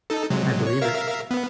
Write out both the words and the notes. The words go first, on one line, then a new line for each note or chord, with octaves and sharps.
I believe it.
D#4 A4
C3 F#3 G#3
C#5
A#4 E5 F5
B3